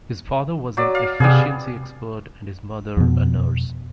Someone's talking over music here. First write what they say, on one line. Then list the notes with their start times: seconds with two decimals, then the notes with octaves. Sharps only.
His father was an efficiency expert and his mother a nurse.
0.77 F#3 D5
0.95 F5
1.20 C3 G3 B3 G#4
2.97 F2 B2